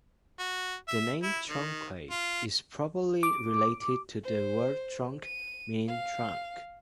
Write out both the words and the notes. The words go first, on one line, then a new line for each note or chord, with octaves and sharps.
The name "Tronquay" is probably related to the word "tronc" meaning "trunk".
F#4
E5
E4
D#3
F4
D6
C5
D#7
F5